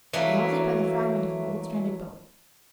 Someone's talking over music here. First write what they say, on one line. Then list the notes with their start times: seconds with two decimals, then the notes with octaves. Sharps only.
He halted by the fragment of an old stranded boat.
0.13 E3 F#3 A3 A#3